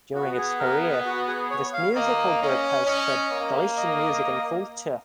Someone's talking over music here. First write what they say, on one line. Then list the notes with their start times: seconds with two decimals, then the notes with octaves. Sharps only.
During its career, this musical group has spread Galician music and culture.
0.15 B3 F#4
0.37 G#4
0.59 A#4
0.82 G#4
1.05 F#4
1.27 G#4
1.51 C#5
1.73 F5
1.96 A#3 D#5
2.42 C#4
2.86 C#4 D#5
3.32 A#3
3.77 D#5